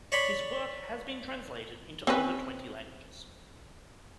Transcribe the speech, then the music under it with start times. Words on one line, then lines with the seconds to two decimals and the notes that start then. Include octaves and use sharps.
His work has been translated into over twenty languages.
0.12 C#5 D5 B5 C6
2.07 C4 C#4 B4